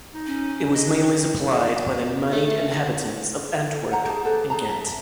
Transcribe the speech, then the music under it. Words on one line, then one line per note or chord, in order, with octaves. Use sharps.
It was mainly supplied by the moneyed inhabitants of Antwerp and Ghent.
D#4
C#4
D#5
D4
A3
A4
C5 F#5 A#5
G4 G#4 C5 A5
A4 B4 C5
G#4 A5 A#5
E5 A5